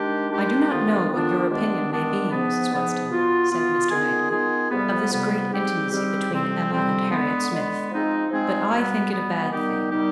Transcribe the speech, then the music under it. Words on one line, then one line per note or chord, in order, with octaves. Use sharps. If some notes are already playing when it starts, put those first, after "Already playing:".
"I do not know what your opinion may be, Mrs. Weston," said Mr. Knightley, "of this great intimacy between Emma and Harriet Smith, but I think it a bad thing."
Already playing: D#3 G#3 D4 G4
D#3 G#3 D4 G4
F2 D#3 B3 D4 F4
F2 D#3 B3 D4 F4
G2 D#3 G#3 B3 D4
G2 D#3 G#3 B3 D4
G#2 F3 B3
G#2 F3 B3
B2 B3 F4
B2 B3 F4
D#3 B3 F4 G#4
D#3 B3 F4 G#4
F2 C3 G3 B3
F2 C3 G3 B3
G#2 G3 C4 G4
G#2 G3 C4 G4
F2 C3 G3 C4
F2 C3 G3 C4
D3 G#3 B3
D3 G#3 B3
F3 G#3 C4 D#4 G#4
F3 G#3 C4 D#4 G#4
B2 G3 B3
B2 G3 B3
D#3 G3 B3 D#4 G4
D#3 G3 B3 D#4 G4